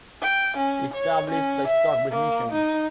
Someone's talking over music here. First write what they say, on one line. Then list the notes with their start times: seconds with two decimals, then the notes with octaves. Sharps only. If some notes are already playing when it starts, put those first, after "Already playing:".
He established the Stockbridge Mission.
0.22 G5
0.57 C#4
0.94 C#5
1.30 C#4
1.67 E5
2.11 A#3
2.51 D#4